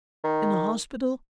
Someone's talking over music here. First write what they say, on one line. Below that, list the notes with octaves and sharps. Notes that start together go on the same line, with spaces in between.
"In a hospital?"
D#3